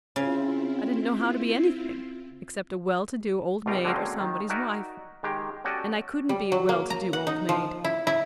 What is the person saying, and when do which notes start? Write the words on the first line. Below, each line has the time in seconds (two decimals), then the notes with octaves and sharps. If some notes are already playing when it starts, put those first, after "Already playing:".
I didn't know how to be anything except a well-to-do old maid or somebody's wife--and I couldn't be a well-to-do old maid.
0.16 C#3 C4 E4 F4 F5
3.66 C2 B2 F4 G4 A#4
3.85 D3 F#3 G#3 A#3 C4 C#4
4.20 D#3
4.49 D#4 F#4 A#4 D5 E5 G#5
5.23 D#3 G#3 G4
5.64 C#4 F#4 G4 A4 D5 D#5
6.29 G3
6.52 F#3
6.69 A#3
6.90 A#5
7.13 F#5
7.27 D#4
7.49 F3
7.84 E4
8.07 E4